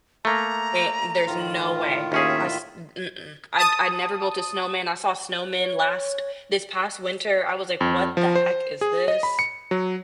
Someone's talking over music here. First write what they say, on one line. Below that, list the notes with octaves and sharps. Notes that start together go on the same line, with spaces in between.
eh, there's no way." I s m mm-mm. I'd I'd never built a snowman, I saw snowmen last this past winter, I was like, "What the heck is this?"
A3 A#3 A#5
A2 D#3 F4
D#2 C#4 G#4 E5
A5 D#6
C#5
F2
F3
C5
G#4
D#5
B5
C#7
F#3